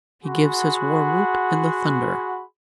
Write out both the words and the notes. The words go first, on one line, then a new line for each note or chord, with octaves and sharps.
He gives his war-whoop in the thunder.
F#4 G#4 F#5 B5 C6